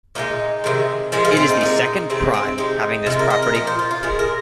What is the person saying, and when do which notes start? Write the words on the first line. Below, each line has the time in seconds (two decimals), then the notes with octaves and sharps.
It is the second prime having this property.
0.15 A#2 F3 G#3 D#4
0.64 C3 D#3 G#3
1.12 A#2 F3 G#3 G#4
1.25 F4
1.37 C4
1.49 D#4
1.61 A#2 F3 G#3
2.10 C3 D#3 G#3 C4
2.34 C4
2.58 C3 G#3 D#4
3.06 C3 D#3 G#3 F4
3.19 A#4
3.30 D#5
3.43 A#4
3.55 A#2 F3 D#5
3.67 C5
3.79 F4
3.91 F4
4.03 A#2 G#3 G#4
4.19 A#4